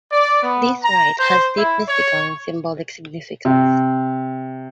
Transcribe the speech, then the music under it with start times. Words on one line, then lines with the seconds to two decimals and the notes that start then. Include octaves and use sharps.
This rite has deep mystical and symbolic significance.
0.12 D5
0.43 B3
0.82 A#5
1.18 C5
1.56 E4
1.88 C#5
3.45 C3